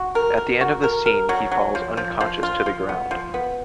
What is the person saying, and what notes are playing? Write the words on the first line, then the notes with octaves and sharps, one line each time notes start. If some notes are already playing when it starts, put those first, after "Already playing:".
At the end of the scene he falls unconscious to the ground.
Already playing: F#4
A#4
A#4
F#4
A#4
A#4
F#3
F#3
F3
F3
F3
F4
F3
B3
F3
B3